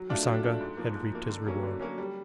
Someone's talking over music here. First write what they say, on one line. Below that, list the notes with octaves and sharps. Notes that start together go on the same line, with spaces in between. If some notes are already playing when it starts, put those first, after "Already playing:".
Usanga had reaped his reward.
Already playing: F#3
A3 D4 F4
F#3
A3 D4 F4
G#2
F3 A#3
G#2
F3 A#3
D3
F#3 A#3 C#4
D3
F#3 A#3 C#4
G3